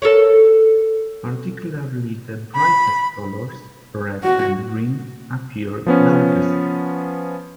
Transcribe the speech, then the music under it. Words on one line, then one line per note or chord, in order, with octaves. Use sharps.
Particularly the brightest colors, red and green, appear darkest.
A4 A#4 C#5
B5
F#4
F3 B3 C#4